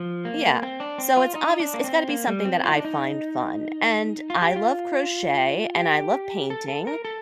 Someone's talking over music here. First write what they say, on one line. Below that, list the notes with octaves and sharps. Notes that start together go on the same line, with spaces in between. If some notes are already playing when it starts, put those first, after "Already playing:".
Yeah, so it's obvious it's gotta be something that I find fun, and I love crochet, and I love painting,
Already playing: F3
A#3
C4
D4
C4
F4
D#4
D4
A#3
C4
A#3
G3
C4
F4
D#4
D4
D#4
F4
G4
F4
G4
A4
A4
A#4
A4